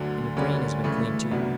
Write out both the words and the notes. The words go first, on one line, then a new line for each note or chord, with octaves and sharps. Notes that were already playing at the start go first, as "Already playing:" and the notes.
And your brain has been cleaned, too....
Already playing: D2 D3 F#3
D2 D3 G3 A#3 C#4
C#3 E3 A3
C2 B2 F#3 B3 D4